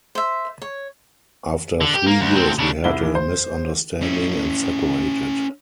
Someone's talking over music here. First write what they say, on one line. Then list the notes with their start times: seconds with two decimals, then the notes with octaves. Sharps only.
After three years we had a misunderstanding and separated.
0.15 C5 E5
0.62 C#5
1.81 D3
1.94 G4
2.07 A#3
2.21 D2
2.36 D2 C4
2.59 C#3 D4
2.84 C2 E4 G7
3.03 E3
3.15 C5
4.02 C#4 E4